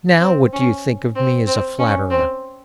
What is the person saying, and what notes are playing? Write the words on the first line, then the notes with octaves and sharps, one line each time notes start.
Now what do you think of me as a flatterer?
C4
C#4
C4
C4
C#4
C4